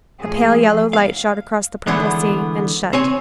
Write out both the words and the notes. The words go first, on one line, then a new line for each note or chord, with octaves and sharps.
A pale yellow light shot across the purple sea; and shut.
A2 F3 G#4
F5
D3 E3 G#3 B3
C4 C#5 G#5